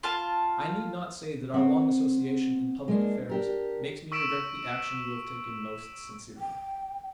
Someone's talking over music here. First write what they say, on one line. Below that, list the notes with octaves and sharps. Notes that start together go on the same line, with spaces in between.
I need not say that our long association in public affairs makes me regret the action you have taken most sincerely.
F4 F5 A5
C4 F#5
G#3 A#3 D4
D4 G4 A#4
C#6 E6 B6 D7 E7
G5